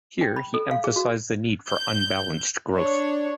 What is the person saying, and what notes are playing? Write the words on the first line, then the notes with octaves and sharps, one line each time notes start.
Here he emphasized the need for unbalanced growth.
G5
B5
A4
F5
G#4
F#4
G6
D4 C#5